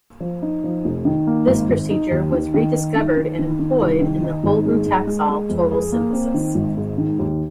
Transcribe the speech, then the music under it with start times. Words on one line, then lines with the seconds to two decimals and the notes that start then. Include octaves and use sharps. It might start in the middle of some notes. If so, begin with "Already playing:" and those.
This procedure was rediscovered and employed in the Holton Taxol total synthesis.
0.20 F3
0.42 D#4
0.64 F3
0.85 F1
1.05 D#3
1.27 A#3
1.47 G#1
1.69 G#1
1.90 D#4
2.11 D#2
2.32 D#3
2.54 D#3
2.76 D#4
2.96 D#3
3.17 D#3
3.39 D#3
3.60 D#3
3.81 C2
4.02 D#3
4.24 D#4
4.44 G#1
4.65 G#3
4.86 G#2
5.07 G#3
5.29 G#3
5.50 F2
5.72 G#4
5.92 A#3
6.13 C4
6.34 D#3
6.55 G#1
6.77 G#2
6.98 D#3
7.19 D#2